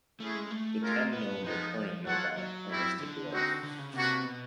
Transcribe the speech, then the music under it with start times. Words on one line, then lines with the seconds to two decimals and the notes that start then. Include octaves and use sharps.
The ten known recurrent novae are listed below.
0.19 A3 C#4 E4 G#4
0.35 G#3
0.51 A3
0.82 G#3 C#4 F4 A#4
1.13 B3
1.44 F3 G#3 B3 D#4
2.06 F#3 F4 A4 C#5 F#5
2.37 F#3
2.70 G3 C4 E4
3.00 D3
3.31 C4 D#4 F#4
3.63 D3
3.79 C#3
3.93 C3 A#3 D4 F#4 B4
4.24 B2